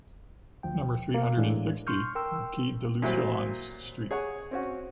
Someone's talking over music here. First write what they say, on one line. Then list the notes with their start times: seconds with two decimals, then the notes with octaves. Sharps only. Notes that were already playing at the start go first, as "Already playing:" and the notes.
Number three hundred and sixty, Maquis de Lucelans street.
0.63 D2 F3 G5
1.14 A#3 F5
1.37 A2 E3 G#3 D4 E4
1.87 C6 C#6 F6 G6
2.15 A#4 G5 C6 E6
3.02 A#2 E3 F#3 G3 C4
4.11 G#4 C#5 F#5 G#5
4.51 C4 C#4 F#4